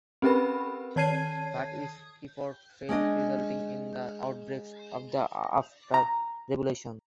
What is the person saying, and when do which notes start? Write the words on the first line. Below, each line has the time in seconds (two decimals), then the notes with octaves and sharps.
But his efforts failed resulting in the outbreak of the Aster Revolution.
0.22 C4 C#4 G4 A#4 B4 B5
0.96 D#3 C#5 A5 G#6 C7 D#7
2.89 G#3 C#4 D4 D#5
5.94 A#5